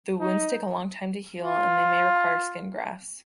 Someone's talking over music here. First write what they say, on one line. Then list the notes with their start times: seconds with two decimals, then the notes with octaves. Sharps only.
The wounds take a long time to heal and they may require skin grafts.
0.20 D#4
1.42 F4